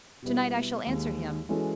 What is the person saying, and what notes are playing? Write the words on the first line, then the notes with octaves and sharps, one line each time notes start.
To-night I shall answer him.
B2 G3 B3 E4
D#2 D#3 G#3
E3 G#3 C#4 F#4 A4